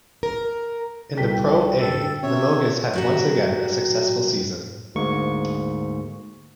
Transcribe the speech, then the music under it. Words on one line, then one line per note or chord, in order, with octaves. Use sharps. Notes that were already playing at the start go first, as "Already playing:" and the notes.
In the Pro A, Limoges had once again a successful season.
A#4
C2 A4 G5 B6
D3 A4
C3 C#4 C#5 E5
F#3 F#4 G4
D2 G#2 A#3 C#6